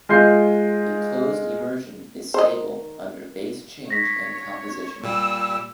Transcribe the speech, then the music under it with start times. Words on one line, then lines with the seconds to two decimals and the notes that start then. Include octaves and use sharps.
A closed immersion is stable under base change and composition.
0.09 G#3 F4 D#5 C6 G6 C7
2.34 D#3 C5 D#5
3.90 C#5 A#6 B6
5.04 A#2 G3 E6